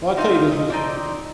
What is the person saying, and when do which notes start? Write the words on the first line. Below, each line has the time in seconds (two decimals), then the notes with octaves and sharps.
Well, I tell you this was
0.17 F3 C4 D#4 F5
0.35 F5
0.52 D#5
0.70 F3 C4 D#4 D5